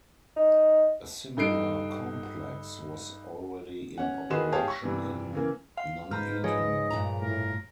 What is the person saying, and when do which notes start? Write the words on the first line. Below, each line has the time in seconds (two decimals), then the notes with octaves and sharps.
A similar complex was already in operation in Nuneaton.
0.36 D#4
1.37 G2 D#4 A4 C7 D7
3.98 C#4 F#5
4.30 D#3 F#4 G#4 B4 C6 E7
4.52 G4 G#4 C#5 F5 G5 A5
4.68 C#6
4.82 G2 C3 E3
5.33 C#3 E3 A#3
5.77 F5 C6
6.11 G#2 B4 C5 A#5 F6
6.44 F3 G#4 C#5 D#5
6.90 G2 A#2 A#5
7.21 A2 A#4